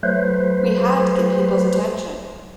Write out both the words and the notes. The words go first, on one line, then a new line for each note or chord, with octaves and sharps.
We had to get peoples' attention.
F#3 A3 B4 C5